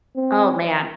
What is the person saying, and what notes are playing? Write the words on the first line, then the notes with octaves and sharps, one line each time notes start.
oh man.
C4